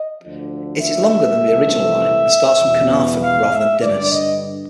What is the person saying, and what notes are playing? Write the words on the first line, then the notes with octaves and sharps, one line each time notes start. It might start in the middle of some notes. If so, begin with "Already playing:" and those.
It is longer than the original line and starts from Caernarfon rather than Dinas.
Already playing: D#5
D2 D3 F3
E5
C2 C3 E3 A3
E2 B2 G3 B3
F5
E5
G2 D3 G3 D5
D#5